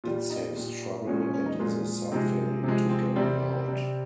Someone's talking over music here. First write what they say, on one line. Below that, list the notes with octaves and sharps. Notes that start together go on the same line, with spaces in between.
It saves trouble, and is a something to get me out.
A#2 G3 F4
D#4
A#2 G3
A#2 F3 G#3 C#4
C#4
C#4
D#4
A#2 F3 G#3 F4
C3 F3 G#3 D#4
C3 F3 G#3
C4
C3 G3 C4
C3 G3